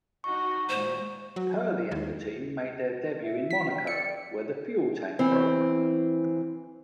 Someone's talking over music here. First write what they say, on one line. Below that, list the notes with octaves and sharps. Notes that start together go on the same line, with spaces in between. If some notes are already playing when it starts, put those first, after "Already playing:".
Purley and the team made their debut in Monaco where the fuel tank broke.
D#4 F#4 C#6
D#2 A#2 G#3 C5
F#3
D#2
E5
B6
G5
D5 C#7
E3 C4